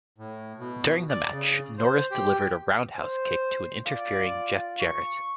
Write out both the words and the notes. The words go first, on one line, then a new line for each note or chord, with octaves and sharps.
During the match, Norris delivered a roundhouse kick to an interfering Jeff Jarrett.
A2
B2
D5
C#3
C5
G4
C5
F4 D5
C#6